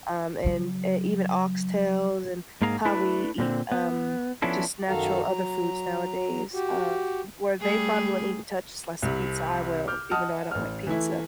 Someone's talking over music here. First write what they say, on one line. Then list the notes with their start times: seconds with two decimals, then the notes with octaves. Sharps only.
um, and, uh, even oxtails and how we eat, um, just natural other foods nowadays, um, where they probably wouldn't even touch a slice of pizza, I will, even though I don't like pizza,
0.45 C#3 F#3
2.62 G#2 A#3 G#4 F5 A#5
2.85 A3 D4 E4 B4
3.38 A#2 D3 C4
3.72 B3
4.42 F3 B3 C#4 D4 E4 A4
4.88 F#2 D#3 F#4 A4 F5 A#5
5.23 F#3 A#5
6.54 F#4 G4
7.61 G3 A3 G#4
9.02 C2 C3
9.87 D6 F6 G6
10.11 D#5 F#5 A5 D#6 F6
10.51 A1 F6
10.87 E3 A3 E4